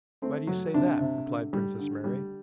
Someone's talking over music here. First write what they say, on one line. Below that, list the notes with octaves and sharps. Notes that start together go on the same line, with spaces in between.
"Why do you say that?" replied Princess Mary.
A3 C4
F#3
C3 D4
C3
D3
G3
D3
G3